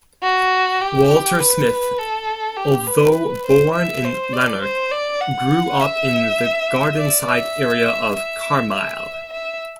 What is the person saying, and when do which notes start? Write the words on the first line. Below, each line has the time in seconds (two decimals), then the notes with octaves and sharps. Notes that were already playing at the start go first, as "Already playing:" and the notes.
Walter Smith, although born in Lanark, grew up in the Gardenside area of Carmyle.
0.23 F#4
0.81 G4
1.40 B4
1.99 A4
2.57 G4
2.87 B4
3.46 C5
3.74 E5
4.04 C5
4.33 D5
4.62 C5
4.91 D5
5.21 F#5
5.81 E5
6.97 D5
7.27 E5
8.15 E5
8.74 E5
9.33 E5